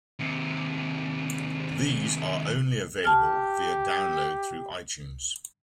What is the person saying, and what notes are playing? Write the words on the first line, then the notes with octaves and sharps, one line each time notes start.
These are only available via download through iTunes.
D#2 C3
G4 A5 F6